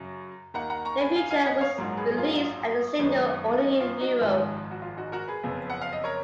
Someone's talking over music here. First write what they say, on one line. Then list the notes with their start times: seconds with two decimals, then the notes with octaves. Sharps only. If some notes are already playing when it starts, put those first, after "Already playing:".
"The Future" was released as a single only in Europe.
Already playing: F#2 C#3 F#3
0.54 D#2 D#3 A#3 F#5 A#5
0.70 F#5 A#5
0.85 A#5 C#6
1.00 G#5 B5
1.16 F5 G#5
1.31 F5 G#5
1.46 D#5 F#5
1.61 C#5 F5
1.77 A#1 G#2 F#3 A#3
1.97 G#4 B4
2.17 F4 G#4
2.38 F4
2.99 F#2 D#3 G#3 B3
3.60 D#4
3.81 F4
4.00 D#4 F#4
4.21 G#1 G#2 F3 G#3
4.71 F#4
4.82 F4
4.97 D#4 F#4
5.12 F#4 A#4
5.28 G#4 B4
5.43 F#1 F2 F3 B3
5.70 F#5
5.81 F5
5.93 D#5
6.04 A#4 C#5